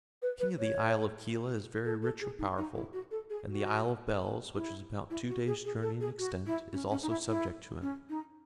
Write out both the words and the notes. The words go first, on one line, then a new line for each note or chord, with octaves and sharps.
The king of the Isle of Kela is very rich and powerful, and the Isle of Bells, which is about two days' journey in extent, is also subject to him.
B4
B4
C#5
A4
A4
G#4
D#4
D#4
E4
F#4
A4
G#4
F#4
E4
E4
F#4
G#4
G#4
A4
G#4
F#4
E4
C#4
C#4
D#4
E4
E4
C#4
D#4